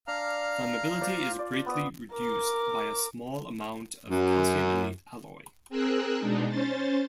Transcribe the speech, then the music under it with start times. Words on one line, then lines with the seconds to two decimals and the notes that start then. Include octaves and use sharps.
Flammability is greatly reduced by a small amount of calcium in the alloy.
0.07 D4 F5 A#5 F6
1.01 F4 C5 D5
1.39 D5
1.66 B3 D#6
2.13 A#4 D6
4.09 F#2
5.69 C4 G#4 A#4 E6 F#6
6.19 B2 G#3 D4 D#4
6.48 C#4 C5 A6